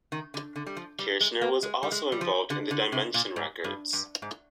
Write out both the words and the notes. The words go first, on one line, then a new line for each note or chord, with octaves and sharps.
Kirshner was also involved in Dimension Records.
D#3
D3
D3
G3
F3
G3
G#3
A#3
G#3
G3
G#3
G3
F3
D3
D3
C3
A#2
G#2
G2
G2
G#2